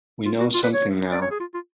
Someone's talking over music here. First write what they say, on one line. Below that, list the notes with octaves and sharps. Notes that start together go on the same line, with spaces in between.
We know something now.
F4
F#4
F4
B4
C#5
D5
C#5
G#4
F4
F4